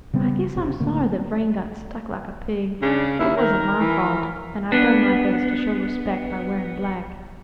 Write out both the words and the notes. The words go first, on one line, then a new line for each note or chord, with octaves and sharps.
I guess I'm sorry that Vrain got stuck like a pig; but it wasn't my fault, and I've done my best to show respect by wearing black.
C#3 G3 B3 C4
F#1 C3
D1 D2 D3 A#3
C#3 D4
D#2 E4
D#3 A#4
E3
B3 D4